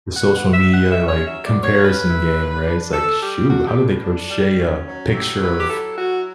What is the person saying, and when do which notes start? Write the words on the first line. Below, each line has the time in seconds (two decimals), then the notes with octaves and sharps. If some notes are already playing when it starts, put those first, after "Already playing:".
The social media, like, comparison game, right, it's like, "Shoot, how did they crochet a picture of
0.16 B2 F#5
0.34 F#5
0.44 F#3
0.54 E5
0.71 B2 F#5
0.90 E5
0.99 C#4
1.08 C#5
1.26 F#3 E5
1.46 D5
1.54 B2
1.63 C#5
1.82 C#4 B4
2.10 E4
2.38 A2
2.65 D4
2.92 D4 A4
3.20 G3 G4
3.48 D4 F#4
3.66 G4
3.76 A2
4.04 D4
4.31 G3
4.59 C#4
4.87 F#3
5.14 E4 G4
5.42 F#3 B4
5.59 G4
5.69 E4 A4
5.97 F#3 F#4